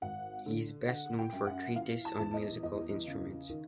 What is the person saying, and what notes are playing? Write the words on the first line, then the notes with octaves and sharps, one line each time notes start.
He is best known for a treatise on musical instruments.
G#1 F#5
D3
D3 F#5
G5
F#2
F#5
E3 F5
A5
E2
D#5
E2 D#5
C#3
D#3